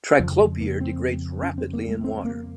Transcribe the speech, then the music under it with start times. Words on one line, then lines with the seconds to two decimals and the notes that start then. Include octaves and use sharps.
Triclopyr degrades rapidly in water.
0.19 F2 C#3 F3
0.40 G#3
0.61 A#3
0.80 C4
1.42 C#4
1.58 C4
1.73 A#3
1.89 G#3
2.04 C4
2.25 A#3